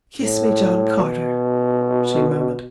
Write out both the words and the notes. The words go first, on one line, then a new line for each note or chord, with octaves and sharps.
"Kiss me, John Carter," she murmured.
A2
B2